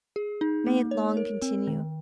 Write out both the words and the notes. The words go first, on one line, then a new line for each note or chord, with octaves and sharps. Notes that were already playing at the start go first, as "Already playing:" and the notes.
May it long continue!
G#4
D#4
A#3
C#5
A#4
C4
D#3